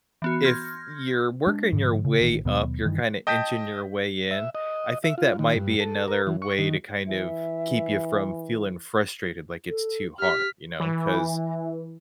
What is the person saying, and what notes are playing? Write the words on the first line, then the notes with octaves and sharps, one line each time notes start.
if you're working your way up, you're kinda inching your way in, I think that might be another way to kind of keep ya from feeling frustrated, like, it's too hard, you know? 'Cause,
E3 B3 F#4
C6 F6 G6 G#6 A#6
G#3 D4
G#2 D3 F3
C#3
A1 D#3
D#2 B2 F#3 B3
G2 D#3 E3
D#5 G5 A5 D#6 G6 B6
E5
D#5
E5
F4
D#3
G2
A4
A#4
E3
C#6
D#3
E3 E5
A4
G4 F6 B6
E3